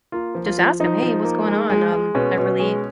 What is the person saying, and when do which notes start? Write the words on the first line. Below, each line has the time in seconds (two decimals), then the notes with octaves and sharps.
just ask him, "Hey, what's going on? Um, I really
0.12 A#3 F4
0.35 F3
0.46 F4
0.58 F3
0.80 F3 D#4
1.03 F3
1.25 A#3
1.48 G#3
1.70 G#3
1.92 G#3
2.15 B2 C#4
2.38 B2
2.60 G#3